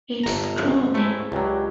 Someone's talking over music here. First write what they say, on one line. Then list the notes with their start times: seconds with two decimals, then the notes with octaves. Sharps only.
It’s true, then!
0.24 G1 C3 F#3 A4 A#5
0.59 A1 G#2
0.94 A3 E4
1.32 C#2 F#3 G#3 D4 G4